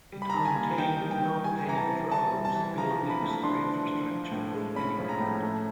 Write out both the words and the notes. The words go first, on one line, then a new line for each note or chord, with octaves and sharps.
It contained no paved roads, buildings or infrastructure of any kind.
G3
B5
A#5
D#3 A5
G#5
A#3
D#4 G5
G3
G5
D#3
G3 G#5
E3 A#5
A5
C4
E3 A5
G3
A5
E3
F3 A#5
D3
B5
A3
D4 C6
F3
D3
F3
A2
G#3
C#4 B5
F3
A#5
A2
A3